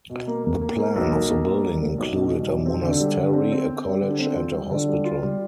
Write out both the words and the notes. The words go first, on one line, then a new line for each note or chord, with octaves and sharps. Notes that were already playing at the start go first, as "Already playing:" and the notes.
The plan of the building included a monastery, a college, and a hospital.
B2
A#3
A#3
A#3
A#3
B1
A#3
A#3
A#3
G3
A#3
B1
B2
G3
B1
C4
D3
G3
D3
C4
C4
C4
G3
D3
C4
F4
G3
D3
G3
F4
G3